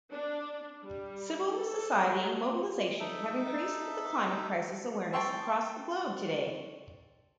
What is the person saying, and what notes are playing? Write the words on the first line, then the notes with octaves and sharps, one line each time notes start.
Civil society mobilization have increased with the climate crisis awareness across the globe today.
D4
G3
A4
F#3
D#4 A4 E5
G5 A5 C6 C#6 E6